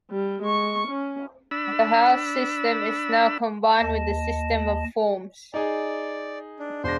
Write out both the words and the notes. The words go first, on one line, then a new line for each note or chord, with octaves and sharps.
The house system is now combined with the system of forms.
G3
G#3 C#6
C#4
D4 B5 E6
D#2 D#5 A5
D#4 G#4 D5
D4
E1 D4 C5 C6 A#6